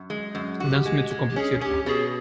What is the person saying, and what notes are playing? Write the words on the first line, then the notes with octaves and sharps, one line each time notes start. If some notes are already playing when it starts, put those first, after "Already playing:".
Das ist mir zu kompliziert.
Already playing: F#2
G#3
F#2
F#4 G4
G#3
G#3
G4
C#4 G#4
C#4 G4
B2 G#4